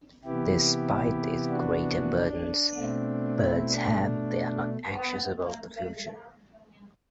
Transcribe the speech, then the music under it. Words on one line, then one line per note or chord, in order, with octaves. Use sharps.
Despite these greater burdens birds have, they are not anxious about the future.
C3 E3 B3 E4 G4
D4 F#4
D4
B2 A3 C4
C4 E4
D4